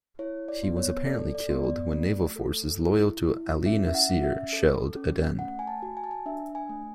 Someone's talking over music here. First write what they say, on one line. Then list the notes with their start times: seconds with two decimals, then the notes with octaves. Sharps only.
He was apparently killed when naval forces loyal to Ali Nasir shelled Aden.
0.19 E4 C#5
0.48 D5
0.63 B3
0.77 C#5
1.06 A4 D5
1.35 D5
1.49 B3
1.64 D5
1.92 A3
2.36 A4
2.79 E4
3.22 E4
3.66 C#4 E5
3.87 E5
3.95 F#5
4.10 C#4
4.24 E5
4.53 A4
4.96 C#4
5.39 A3 F#5
5.59 G#5
5.67 A5
5.82 F#4
5.97 G#5
6.04 A5
6.11 G#5
6.26 D4 E5
6.55 G#5
6.69 A3